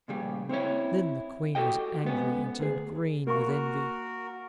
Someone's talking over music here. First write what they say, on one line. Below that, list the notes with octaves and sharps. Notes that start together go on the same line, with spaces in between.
Then the Queen was angry, and turned green with envy.
A#2 C#3 G3
C4 C#4 E4 C#5
F#4 G4 A4 D#5 G5
G#3 B3 C#4
D2 G#4
A#3 F#4 A#4 C#6